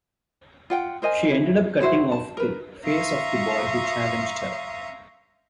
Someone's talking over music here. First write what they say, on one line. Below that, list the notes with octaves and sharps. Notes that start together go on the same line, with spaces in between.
She ended up cutting off the face of the boy who challenged her.
F4 F#5 G5
A#4 C5 D#5 G#5
E4
E4 F#4 C5 E5
A5
A#4 B4
E5 F5 A#5 C6 C#6 D#6